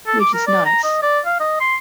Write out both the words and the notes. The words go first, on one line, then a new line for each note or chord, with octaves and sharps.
Which is nice.
A4
D6
A#4
D5
A#5
D#5
D5
F5
D#5
C6